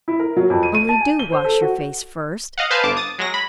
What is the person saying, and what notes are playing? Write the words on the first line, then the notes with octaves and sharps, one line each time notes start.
Only do wash your face first.
E4
A#4
F#3
F2
D#7
D#7
A5
G#5
G7
C5
A4
F#4
D#5 F5 F#5
B4 C5 F5 G#5 A5
G1 A5 D6
D#6 A6
F#3 G#3 A#6
B5